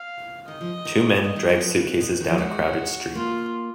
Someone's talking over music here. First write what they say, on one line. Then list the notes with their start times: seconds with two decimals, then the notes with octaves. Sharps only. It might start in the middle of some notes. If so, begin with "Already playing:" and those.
Two men drag suitcases down a crowded street.
Already playing: F5
0.47 D#3 D#5
0.61 F3
0.85 D#3
1.23 B2 D#5
1.36 D#3
1.49 F#3
1.62 F3 B4
1.75 C#3
2.00 B2
2.20 D#3
2.28 F3
2.38 G#3 F#4
3.15 A#3 F4